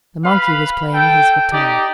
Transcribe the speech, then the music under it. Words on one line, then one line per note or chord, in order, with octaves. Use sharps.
The monkey was playing his guitar.
B4 F5 B5
A4 G5
D#4 G4 D5